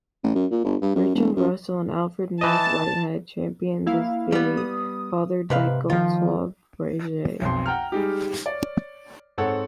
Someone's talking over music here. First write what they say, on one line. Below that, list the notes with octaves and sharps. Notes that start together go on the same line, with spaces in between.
Bertrand Russell and Alfred North Whitehead championed this theory fathered by Gottlob Frege.
A1
F#2
A#2
G1
G2
F#2
E1
F#2
E3 D#5 A5
A#3 E4 F5
G3 B3
D#6
G#2 C3 B4 F5
D#3 F3 F4
B1 F2 C6
F#5 G5 A#5 F6
G3 G#3 D#4 G4
C#5 D5
G#2 C4 A4 C#5 F#5